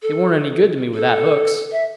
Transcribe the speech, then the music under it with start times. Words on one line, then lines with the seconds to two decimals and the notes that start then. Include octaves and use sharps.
It warn't any good to me without hooks.
0.03 A4
0.94 A4
1.72 E5